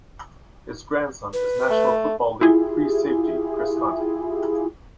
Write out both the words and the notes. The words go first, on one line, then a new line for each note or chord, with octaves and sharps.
His grandson is National Football League free safety Chris Conte.
B4
A3
E4 F4 G4 G#4